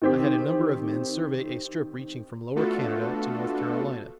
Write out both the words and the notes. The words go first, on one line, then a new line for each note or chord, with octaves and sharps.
I had a number of men survey a strip reaching from Lower Canada to North Carolina.
D#3 C4 G4
A3 B3 D4 F4 F#4 A4